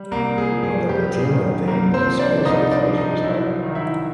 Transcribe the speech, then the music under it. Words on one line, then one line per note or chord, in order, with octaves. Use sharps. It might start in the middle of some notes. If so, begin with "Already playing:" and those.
But the Latino theme is especially close to his heart.
Already playing: G3
C2 A#3 A#4
G#4
F3
G#4
G3 G4
G#4
D#3
C2 A#3 A#4
C4 C5
F3
D4 D5
C2 D#4 D#5
D4 D5
F3
D#4 D#5
F#3 E4 E5
D#3
E4 E5